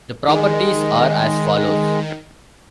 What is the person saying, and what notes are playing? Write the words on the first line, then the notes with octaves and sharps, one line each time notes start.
The properties are as follows.
D#3 G#3